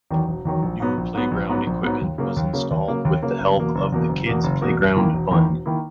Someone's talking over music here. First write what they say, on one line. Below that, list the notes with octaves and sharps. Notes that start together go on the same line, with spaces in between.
New playground equipment was installed with the help of the Kids Playground Fund.
E2 D#3 F#3
E1
E2 D#3 F#3
A#1
G#2 F#3 B3
A#1
G#2 F#3 B3
A#1
G#2 F#3 B3
A#1
G#2 F#3 B3
D#2
C#3 F#3 A#3
D#2
C#3 F#3 A#3
D#2
C#3 F#3 A#3
D#2
C#3 F#3 A#3
F#1
E2 B2 A#3
F#1
E2 B2 A#3
F#1
E2 B2 A#3
F#1
E2 B2 A#3
E1
E2 D#3 A#3 E4
E1
E2 D#3 A#3 E4
E1
D#3 A#3 E4